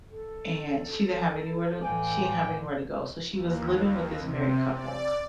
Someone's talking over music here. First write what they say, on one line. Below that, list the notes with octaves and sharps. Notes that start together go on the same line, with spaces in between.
and she didn't have anywhere to she didn't have anywhere to go. So, she was living with this married couple
A4
A2 E3 D5 F5 G5 G#5
D#2
C3
D5